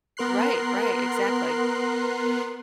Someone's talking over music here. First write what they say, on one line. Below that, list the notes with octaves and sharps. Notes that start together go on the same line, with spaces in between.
Right, right, exactly.
B3 A#4 C6 F#6 C7